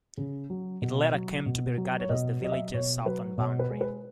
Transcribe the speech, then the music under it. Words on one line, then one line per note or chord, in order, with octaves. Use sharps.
It later came to be regarded as the Village's southern boundary.
C#3
F#3
B2
F#3
B2
F#3
C#5
B2 D#5
F#3 D#5
E5
B2 C#5
F#3 B4
B2 C#5
B4
G#3
B4